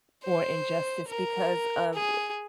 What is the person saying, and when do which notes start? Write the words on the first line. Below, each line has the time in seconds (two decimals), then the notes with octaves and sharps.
for injustice because of
0.24 C5
1.08 A#4
1.94 G#4